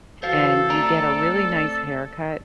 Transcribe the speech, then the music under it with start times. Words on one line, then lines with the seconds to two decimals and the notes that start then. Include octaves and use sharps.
and you get a really nice haircut,
0.23 E3 F#4 A4 C5 F5
0.70 A3 C4 D5 A#5